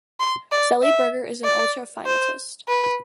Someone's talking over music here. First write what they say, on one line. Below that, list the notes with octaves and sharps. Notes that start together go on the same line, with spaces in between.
Zeilberger is an ultrafinitist.
C6
D5
E5
D5
C5
B4